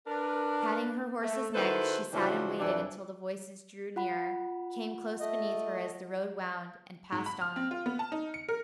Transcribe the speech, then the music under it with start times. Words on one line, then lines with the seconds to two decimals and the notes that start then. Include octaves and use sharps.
Patting her horse's neck, she sat and waited until the voices drew nearer, came close beneath her as the road wound, and passed on.
0.07 D4 A#4 B4
1.21 A3
1.54 D#3 E4 F#4 A4 B4 C5
2.13 C#3 E3 F3 D4 F4 F#4
2.59 F2 C3 E3 D4
3.96 F4 F#5 B5
5.20 A3 D#5
7.12 G#2
7.26 B5
7.41 F6
7.56 C4
7.71 F4
7.86 B3
7.99 A5
8.12 D#4
8.34 C#7
8.49 A#4